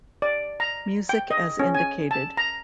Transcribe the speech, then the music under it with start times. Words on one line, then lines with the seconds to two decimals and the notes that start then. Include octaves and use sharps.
Music as indicated.
0.22 D5
0.60 A#5
1.09 G5
1.31 D#5
1.59 C#4
1.75 G#5
2.11 A5
2.37 A#5